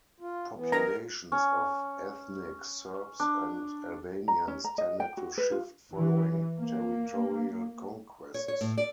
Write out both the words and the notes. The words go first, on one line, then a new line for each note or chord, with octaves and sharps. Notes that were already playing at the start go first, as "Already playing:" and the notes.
Populations of ethnic Serbs and Albanians tended to shift following territorial conquests.
F4
E3 B3
A#4 A#5
C#4
D4
A#5
C#4
A#5
D#5
G5
F#4
B4
F4
E3
A#3
C#5
C#5
A2
D5